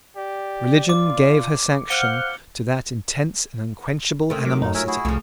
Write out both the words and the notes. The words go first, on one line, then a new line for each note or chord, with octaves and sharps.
Religion gave her sanction to that intense and unquenchable animosity.
G4 D5
F4 D6
C5 F5 F#5 F6 F#6 C#7 G7
D#3 A3 C4
F#3 D6
F#2 D#4
F4 A#4 C#5 E5 G#5
E4 F#4 G#4
C2 C#3 F3 A3